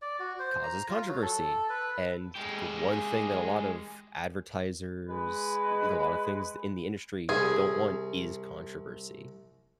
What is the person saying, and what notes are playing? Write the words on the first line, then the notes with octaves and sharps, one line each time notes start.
causes controversy, and th the one thing that a lot of advertisers, th a lotta things in the industry don't want is controversy.
D5
F#4
C5
A#5
F4
F#3
A4
B4
G#3 G4
G#3 B4
C2 G#4